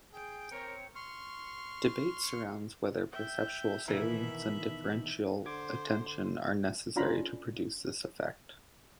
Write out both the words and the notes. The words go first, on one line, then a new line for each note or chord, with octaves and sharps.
Debate surrounds whether perceptual salience and differential attention are necessary to produce this effect.
G#4 G5
C4 A#4 C#5 C#7
C6 C#6 F6
E5 G5
B2 D#3 E3 E5 B5
D3 C5 D6 G#6
C#4 D4 F4 F5 A#5 B5